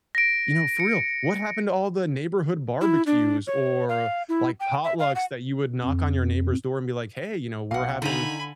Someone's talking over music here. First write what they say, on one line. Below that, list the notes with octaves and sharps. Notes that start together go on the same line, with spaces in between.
You know, for real, what happened to all the neighborhood barbecues or, like, potlucks that you would knock on your neighbor's door and be like, "Hey, you know, we're having"
A#6 D7
C#7
E4
D4
C#5
F5
E4
G5
E5
F5
F#5
F2
B1 F5 F#5
D3 D#3 G#5 A#5 B5 D#7 F#7